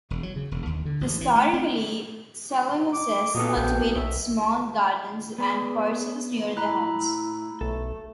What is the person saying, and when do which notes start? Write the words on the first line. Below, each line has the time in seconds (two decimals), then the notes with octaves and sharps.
Historically, Saloenses cultivated small gardens and parcels near their homes.
0.10 E1
0.23 F#3
0.36 C#3
0.51 E1
0.66 D#2
0.85 D3
1.01 A1
1.21 E3
1.36 A3
1.53 C4
2.92 D6
3.35 A#2 F#3 B3 A4 D#5
3.57 A#1 G5
3.96 B1 E5
5.38 B3 G#4 B4 D5
6.57 A2 E4 A#5 B5 F#6
7.61 B1 A3 A4